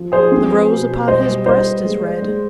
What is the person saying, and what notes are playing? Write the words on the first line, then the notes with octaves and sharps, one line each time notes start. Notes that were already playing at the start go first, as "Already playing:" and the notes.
The rose upon his breast is red.
Already playing: F3
F3 G#4 C5
C4
B4
B2
B2
G3 C5 D#5
G3
G3 C5 D#5
B4
G#3
D5
G#3